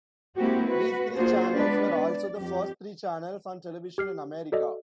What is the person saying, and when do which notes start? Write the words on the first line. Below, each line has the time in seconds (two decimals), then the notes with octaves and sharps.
These three channels were also the first three channels on Television in America.
0.37 G#3 A#3 C4 E4 F#4 G4
0.69 F#4 B4
1.16 A#3 D4 F4 F#4 G#4 C5
1.52 G#3 B3 D4 B4 D5
1.94 D5
2.38 F2 G4
3.98 G4 F6 C7
4.52 F#4 A4 D5 D#5